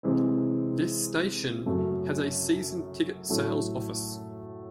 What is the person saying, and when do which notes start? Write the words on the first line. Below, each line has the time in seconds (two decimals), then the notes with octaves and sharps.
This station has a season ticket sales office.
0.03 C3 E3 G#3 C4
1.66 F#2 C#3 F#3 A3 C#4
3.30 A2 F#3 A3